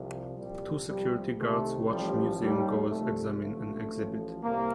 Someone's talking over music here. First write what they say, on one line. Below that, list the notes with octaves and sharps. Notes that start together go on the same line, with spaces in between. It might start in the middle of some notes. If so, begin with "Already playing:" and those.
Two security guards watch museum goers examine an exhibit.
Already playing: C2 C3 F3
C2 A#2 F3 G3
C2 C3 F3 G3
C2 C3 D#3 A3
A1 A2 F3 G3
D#2 D#3 G3
C2 C3 F3 A3
A1 G2 D3 F3 A3
A1 A2 F3
C2 A#3